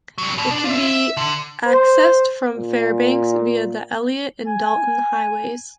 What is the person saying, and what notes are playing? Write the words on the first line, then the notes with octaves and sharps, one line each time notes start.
It can be accessed from Fairbanks via the Elliott and Dalton highways.
F#3 G3
B2
D4
F4 E5
E5
D3
C5
A#2
G#5